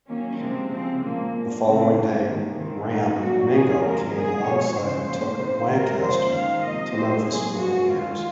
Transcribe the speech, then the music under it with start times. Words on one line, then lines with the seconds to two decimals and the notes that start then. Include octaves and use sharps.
The following day ram "Mingo" came alongside and took "Lancaster" to Memphis for repairs.
0.09 D#3 F#3 A#3 C#4
0.40 C3 F3 G#3 C4
0.71 C#3 F3 G#3 C4
1.02 A#2 F3 G#3 A#3
1.34 A#2 F3 A#3
1.64 C#3 G#3 C4
1.96 C3 F3 G#3 A#3
2.27 D#3 G#3
2.58 C3 D#3 G#3 C4
2.90 A#2 G#3 D#4
3.20 A#2 F#3 A#3 F#4
3.51 D#3 A#3 G#4
3.83 C3 F3 G#3 A#4
4.15 A#2 G#3 G#4
4.45 C3 F3 G#3 C#5
4.76 C#3 F3 G#3 C5
5.08 C#3 F3 A#3
5.39 C3 D#3 A#3
5.70 D#3 G#3 A#4
6.01 C#3 F3 A#3 C5
6.32 D#3 G#3 F5
6.63 C3 F3 A#3 D#5
6.94 A#2 G#3 C5
7.25 C3 F#3 A#3 G#4
7.57 A#2 F3 G#3 F#4
7.88 D#3 G#3 F4